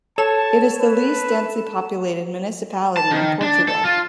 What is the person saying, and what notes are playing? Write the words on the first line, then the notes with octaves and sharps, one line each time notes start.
It is the least densely populated municipality in Portugal.
A4 C#5 A5 E7
B4
A5
D#3
D4
A4
F4